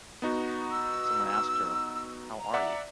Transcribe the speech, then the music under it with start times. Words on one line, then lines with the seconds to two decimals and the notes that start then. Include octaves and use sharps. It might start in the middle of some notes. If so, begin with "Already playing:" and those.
Someone asked her: How are you?
0.22 B3 D#4 F#4
0.71 E6
2.39 A#5
2.54 D5 E5 F#5